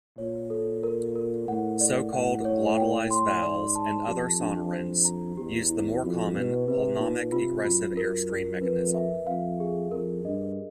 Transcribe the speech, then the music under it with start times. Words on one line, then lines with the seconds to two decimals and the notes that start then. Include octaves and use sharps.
So-called glottalized vowels and other sonorants use the more common pulmonic egressive airstream mechanism.
0.18 A#2 C#5
0.50 A4
0.83 A#4
1.15 A#4
1.48 A2 F#5
1.81 D5
2.13 A2 F#5
2.45 C#5
2.77 G5
3.11 C6
3.42 G#2 D5
3.75 A5
4.07 F2 G4
4.40 D4
4.73 C5
5.05 A#5
5.37 E2 G4
5.70 E4
6.02 F2 F#4
6.35 B2 B4
6.67 C3 B4
6.99 A#2 D#4
7.32 C3 F4
7.65 F#2 F4
7.97 F#2 A#4
8.29 A#4
8.62 F2 B4
8.94 E5
9.27 F2 F5
9.60 G#4
9.92 F2 A#4
10.25 G2 D#5